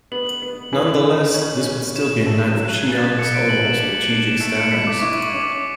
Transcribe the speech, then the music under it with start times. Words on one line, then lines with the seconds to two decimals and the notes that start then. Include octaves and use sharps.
Nonetheless, this would still be in line with Chiang's overall strategic standings.
0.12 B3 F#7
0.42 B3
0.73 E3
1.03 E3
1.34 C#4
1.65 C#4
1.96 C#4 E7
2.26 A3
2.57 F#3
2.65 F#6
2.78 G#6
2.88 C#3 A6
3.06 B6
3.19 A4 C#7
3.34 D7
3.49 E3 F#7
3.57 D7
3.64 E7
3.79 D4 F#7
4.00 F#7
4.10 D4
4.20 E7
4.40 A3 D7
4.56 C#7
4.71 B2 B6
4.87 D6
5.02 E4 C#6
5.23 D6
5.34 C#4
5.43 D6